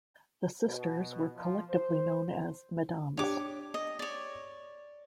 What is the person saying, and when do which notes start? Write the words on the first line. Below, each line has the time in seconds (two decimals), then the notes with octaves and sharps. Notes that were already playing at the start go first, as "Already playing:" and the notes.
The sisters were collectively known as "Mesdames".
0.66 B2
1.35 F3
1.69 C5
3.17 D4 G4 C#5 D6
3.74 D#5
3.99 C#5 D5